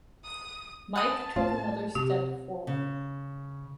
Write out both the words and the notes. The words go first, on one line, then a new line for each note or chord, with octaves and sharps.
Mike took another step forward.
D#6
F#5 A5 D#6
A2 F4
C3 G4
C#3